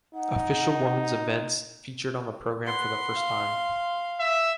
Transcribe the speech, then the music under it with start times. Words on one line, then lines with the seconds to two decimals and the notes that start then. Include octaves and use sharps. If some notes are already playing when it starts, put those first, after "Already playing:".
Official women's events featured on the programme for the first time.
0.15 D#4 F#5
2.67 B4 F#5 C6
3.16 F5
4.20 E5